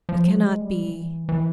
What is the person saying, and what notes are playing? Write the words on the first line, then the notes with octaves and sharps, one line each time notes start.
It cannot be.
F3
F#3
G#3
G3
E3
E3